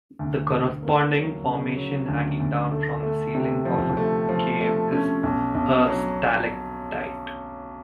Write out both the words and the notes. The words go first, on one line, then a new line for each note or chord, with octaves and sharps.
The corresponding formation hanging down from the ceiling of a cave is a stalactite.
D2
D2
A#3
F#3
C#3
F#3
D2
D2
A3
A3
C3
F3
A3
F3
A3
C#4
B1
B1
F#3